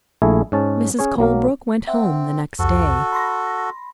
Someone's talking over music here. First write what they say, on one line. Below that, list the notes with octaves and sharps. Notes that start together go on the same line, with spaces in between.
Mrs. Colebrook went home the next day.
A#1 A3 E4 G#4
G#2 C#4 A5
C#4 G#4 C#5
B1 F#3 A#3 A#4
C4 E5 F#5
C2 F2 F#4 A4
B5 C6 A#6